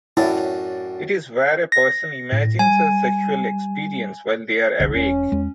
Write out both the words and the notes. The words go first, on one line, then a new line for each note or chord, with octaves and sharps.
It is where a person imagines a sexual experience while they are awake.
F#2 A2 D4 E4
A#6
A2
G3 G#5
F1 C2 D3
E1 C#4
E2 G#3